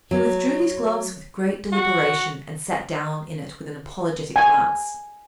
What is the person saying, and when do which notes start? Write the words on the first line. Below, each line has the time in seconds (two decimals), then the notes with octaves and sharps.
He withdrew his gloves with great deliberation, and sat down in it with an apologetic glance.
0.11 F#3
1.72 F#4
4.36 G#5